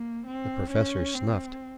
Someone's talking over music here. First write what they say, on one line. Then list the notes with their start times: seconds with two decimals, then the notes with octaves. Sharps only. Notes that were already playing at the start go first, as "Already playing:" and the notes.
The Professor snuffed.
Already playing: A#3
0.27 C4
0.70 C#4
1.14 C4